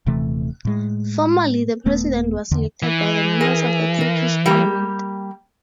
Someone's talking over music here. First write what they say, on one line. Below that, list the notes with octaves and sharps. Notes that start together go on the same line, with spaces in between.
Formerly, the President was elected by the members of the Turkish Parliament.
D#1 C3 E3 A3
A2 G#3
D#1 A3 B3
E2 D3
E3
G#4 A#4
A#4
G3 A#3 G4